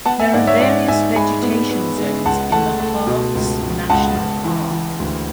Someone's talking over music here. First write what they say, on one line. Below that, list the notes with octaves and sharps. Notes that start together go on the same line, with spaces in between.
There are various vegetation zones in the Harz National Park.
B3 F#5 A5
E5 G#5
G#2 D5 F#5
C#5 E5
G#2 D5 F#5
G#2 E5 G#5
G#3 G#5 B5
B3
B3
G#3
C#2 F#5 A5
A3 F#5 A5
A3
B2
C#2
C#2
C#2 F#5 A5
C#2
E3
E3
D2